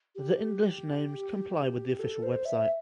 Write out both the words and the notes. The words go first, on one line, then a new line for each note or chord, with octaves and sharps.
The English names comply with the official website.
G4
A4
C5
E5